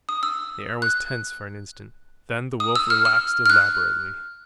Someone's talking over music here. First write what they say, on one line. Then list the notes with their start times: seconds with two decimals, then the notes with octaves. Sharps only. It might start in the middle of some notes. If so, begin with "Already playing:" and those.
The air was tense for an instant; then the Wolf relaxed elaborately.
0.09 D#6
0.23 E6
0.82 F#6
2.60 D#6
2.76 E6
2.90 F6
3.05 F6
3.46 F6
3.50 F#6